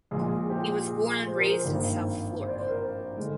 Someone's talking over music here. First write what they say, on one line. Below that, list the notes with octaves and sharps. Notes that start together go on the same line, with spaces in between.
He was born and raised in South Florida.
A#1 A#2 G#3 G#4
G#4
G4
G#4
C5
A#4
C5
G#1 G2 D#3 A#3
C5
D5
C5
A#4
D3 G#3